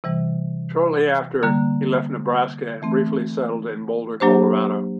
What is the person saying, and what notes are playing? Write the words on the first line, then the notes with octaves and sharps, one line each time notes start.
Shortly after, he left Nebraska and briefly settled in Boulder, Colorado.
C3 E3 G3
D3 G3 A#3
E3 A3 C4
F#3 A#3 D4 G4 C5